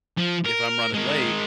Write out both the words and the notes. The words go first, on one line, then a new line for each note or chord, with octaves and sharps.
if I'm running late
F3
A#4
G#3 A#4